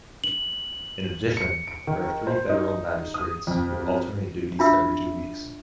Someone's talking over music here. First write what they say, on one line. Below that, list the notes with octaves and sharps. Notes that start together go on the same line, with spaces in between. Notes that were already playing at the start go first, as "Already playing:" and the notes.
In addition, there are three federal magistrates who alternate duties every two weeks.
F#7
C#7
D7
D#3
C5
D#4
D#6
F2
D4 F4 E5 E6